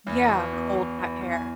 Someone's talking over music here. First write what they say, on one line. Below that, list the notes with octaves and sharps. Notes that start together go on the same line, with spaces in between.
Yeah, cold, wet hair.
E2
B2
E2
E2
E2
E2
G#5